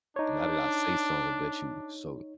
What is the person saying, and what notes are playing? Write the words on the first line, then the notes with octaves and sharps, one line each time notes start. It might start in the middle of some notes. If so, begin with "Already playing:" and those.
and now that I say something that you so
D4 D#4 C#5